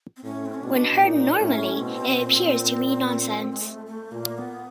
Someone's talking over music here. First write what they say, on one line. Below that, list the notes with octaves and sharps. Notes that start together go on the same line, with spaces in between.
When heard normally, it appears to be nonsense.
C4
A2 C#4
C4
C#4
B2 D4
A#2 D#4
A2 C#4
B2 C4
A#2
G#3
A3
A3
A#2 A#3
B3